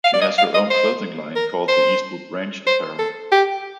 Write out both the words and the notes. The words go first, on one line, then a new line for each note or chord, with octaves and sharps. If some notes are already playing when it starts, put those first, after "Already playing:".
She has her own clothing line, called the "Eastwood Ranch Apparel".
F5
D5
D#5
F5
D#5
C5
A#4
C5
C5
A4
G4